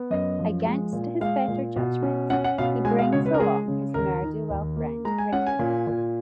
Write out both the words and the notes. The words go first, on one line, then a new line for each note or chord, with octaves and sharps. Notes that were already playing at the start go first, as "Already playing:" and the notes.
Against his better judgment, he brings along his ne'er-do-well friend Ricky.
Already playing: B3
F#2 D#5
F3
G#3
A#2
G#3 F5
A#2
B2
C#4
C#4 F#5
F#5
B2 F5
G#3 G#5
F5
C#3 C#5
B4
A#4
G#3 G#4
C#3
D#2 A#4
D#3
D#2
A#3
G#3 A#5
G#5
C#4 F#5
G#5
A#2
A#2